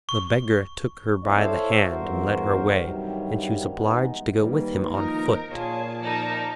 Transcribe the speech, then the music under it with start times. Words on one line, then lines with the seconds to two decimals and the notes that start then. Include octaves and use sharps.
The Beggar took her by the hand and led her away, and she was obliged to go with him on foot.
0.09 C#6
1.23 G3 A#3 C4 E4 D5 D#5
1.37 E4 A4 C5 C#5 E5 F5
1.89 E2 G2 F#4 A#4 C5
2.80 G2 C3 D#3 F#3 G3
3.73 E3 G#3 B3 D#4
4.40 G#2 D#3 G3 A#3 B4
4.92 F3 D#4 A#4
5.51 A#2 F4 G#4 C#5 A5
6.01 F3 D#4 A#4 D5 A5